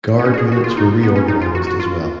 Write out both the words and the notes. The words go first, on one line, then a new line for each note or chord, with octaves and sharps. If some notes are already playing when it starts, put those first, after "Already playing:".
Guard units were reorganized as well.
B3
C#4
F#4
G#4
F#4
F4
D#4
B3
C#4
D#4
F4
F#4
F#4
F4